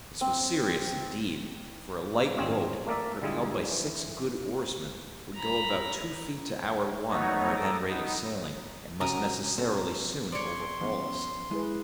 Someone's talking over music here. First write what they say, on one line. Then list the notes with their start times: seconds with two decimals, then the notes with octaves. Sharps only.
This was serious indeed; for a light boat, propelled by six good oarsmen, would go about two feet to our one at our then rate of sailing, and must necessarily soon overhaul us.
0.21 C4
2.36 G#1 C4 C#4 F4 C#5 D#5
2.86 A3 A#3 A#4 D5 E5
3.22 D3 G3 G#3 E4 F4 G#4
3.71 E3
5.35 A#5 B5
7.09 F#3 A3 B3 D#4 F#4 C#5
7.57 A4 A#5 D6 D#6
7.89 B3 D#4
9.01 C3 C#4 F#4 A#4 G#5 A#5 D#6
9.58 C4 A4 A#5
10.32 C#5 D5 C6
10.81 F3 B3 C#4
11.51 G#3 E4 G#4 B4